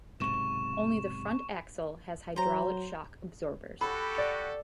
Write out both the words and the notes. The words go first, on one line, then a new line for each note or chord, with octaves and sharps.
Only the front axle has hydraulic shock absorbers.
B1 G#2 C3 C#6 E7
F#3 C5 A#5
F#4 G4 A4 B5
D5